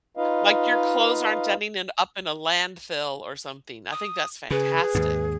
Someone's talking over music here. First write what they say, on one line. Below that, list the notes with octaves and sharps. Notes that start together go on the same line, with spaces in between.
Like, your clothes aren't ending in up in a landfill, or something. I think that's fantastic.
D#4 F4 B4 D#5 F5
D#6
C#3 G#4 B4
D#2 G#2